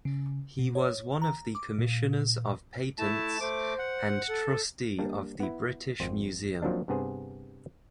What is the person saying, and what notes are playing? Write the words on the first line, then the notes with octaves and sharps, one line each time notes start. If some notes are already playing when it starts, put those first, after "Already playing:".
He was one of the commissioners of patents, and trustee of the British Museum.
C#3
B2
C#5
A#5
D6
A#2
A3 E4 A5
A3 C5 D6
F#5
A4
G3 A#3 D4
B3 E4
G#1 F2 C5
F3 F#3 A#3 C4 D4 D#4
G2 C3 B3 G#4 C5